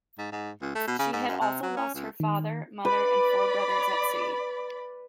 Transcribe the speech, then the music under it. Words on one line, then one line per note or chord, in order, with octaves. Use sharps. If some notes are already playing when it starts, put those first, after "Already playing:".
She had also lost her father, mother and four brothers at sea.
G#2
G#2
C#2
A3
B2
C#3
G#2
F#2
C3
F#3
C#4
C#2
D#3
B4 D5 B5